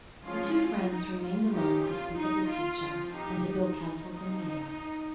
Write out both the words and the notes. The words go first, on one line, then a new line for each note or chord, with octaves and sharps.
The two friends remained alone to speak of the future and to build castles in the air.
F3 G#3 C#4 F4
D#4
F4
F3 A#3 C#4 D#4 G4
F4
D#4
F4
F3 C4 F4
D#4 G4
D#4
F3 C4 D#4